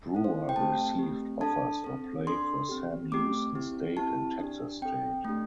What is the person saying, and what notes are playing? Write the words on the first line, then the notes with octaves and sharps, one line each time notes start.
Brewer received offers for play for Sam Houston State and Texas State.
C4 E4 A4
C5
G5
A3 C4 G4 A5
A3 C4 G4
D4 A4 A5
C4 A4
D4 A4 C6
C4 G4
A3 C4 G4 D6
C4 E4 G4
C4 E4 G4 A5
D4 G4
C4 A4 G5
A3 D4 G4